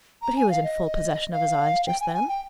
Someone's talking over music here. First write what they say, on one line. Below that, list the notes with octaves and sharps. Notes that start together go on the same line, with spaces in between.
"But he was in full possession of his eyes just then?"
A#5
G#5
F5
D#5
F5
G5
G#5
G5
G#5
G5